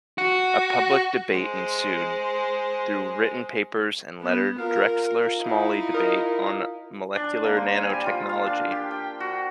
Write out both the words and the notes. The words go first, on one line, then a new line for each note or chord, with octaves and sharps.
A public debate ensued through written papers and letters Drexler-Smalley debate on molecular nanotechnology.
F#4
G#3 C5
B3
F4 A#4 F5
D#4 E4
A#4 D#5
D4
A#3
C5
G#5
G3
F4
F5
D4
G4
G5
F#4